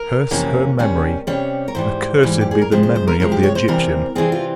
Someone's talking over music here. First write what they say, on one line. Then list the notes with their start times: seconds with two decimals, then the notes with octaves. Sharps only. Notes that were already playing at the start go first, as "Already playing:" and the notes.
"Curse her memory--accursed be the memory of the Egyptian."
Already playing: A#4
0.31 F2 C3 E3 A#3 C#4
0.79 C3 G3 C#4
1.27 C3 G3 C#4 C#5
1.68 A#4
1.75 G#2 E3 G3 C5
2.23 G#2 E3 G3
2.41 G4
2.51 G#4
2.62 A#4
2.71 C3 F3 G#3 C5
2.83 C5
2.96 C5
3.08 A#4
3.20 C3 F3 G#3 A#4
3.32 G4
3.43 C#5
3.55 C5
3.68 C3 E3 G3 C4 A#4
4.15 C3 E3 G3 C4 G#4
4.32 F4